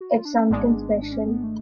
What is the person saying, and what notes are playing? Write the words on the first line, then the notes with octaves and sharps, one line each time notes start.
It's something special.
F#4
F4
D4
C#4
G#1 G#2 G#3 B3 D4
D4
C#4
B3
A3